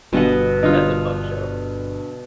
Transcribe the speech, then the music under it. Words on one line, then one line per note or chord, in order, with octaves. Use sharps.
that's a fun show.
G1 G2 B2 D#5 F#5
G2 D3 D#4 F4